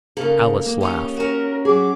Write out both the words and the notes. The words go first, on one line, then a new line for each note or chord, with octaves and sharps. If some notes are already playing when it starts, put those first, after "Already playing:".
Alice laughed.
C#3 A#3 D#4 A4
A#3
C#4 D#4 G4
C#4 F#4 A#4
F#3 G#4 D6